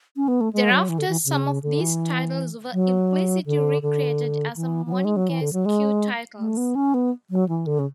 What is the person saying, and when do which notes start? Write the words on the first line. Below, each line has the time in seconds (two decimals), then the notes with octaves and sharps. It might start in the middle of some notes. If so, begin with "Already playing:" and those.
Thereafter some of these titles were implicitly re-created as Monegasque titles.
0.16 C#4
0.28 B3
0.41 A3
0.53 G#3
0.71 F#3
0.89 E3
0.98 D3
1.08 E3
1.26 C#3
1.63 D3
1.81 E3
2.73 F#3
3.46 D3
3.82 D3
4.56 E3
4.86 E3
4.92 F#3
5.05 G#3
5.17 F#3
5.29 E3
5.41 D3
5.53 F#3
5.66 G#3
6.39 A3
6.57 B3
6.75 C#4
6.94 B3
7.31 F#3
7.49 E3
7.67 D3
7.79 C#3